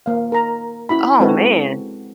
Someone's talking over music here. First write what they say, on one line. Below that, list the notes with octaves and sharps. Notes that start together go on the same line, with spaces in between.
Oh, man.
A#3 F5
A#4 A#5
C#4 E4 F#4 B5
G#3 C4 E4 F#4 A4 B4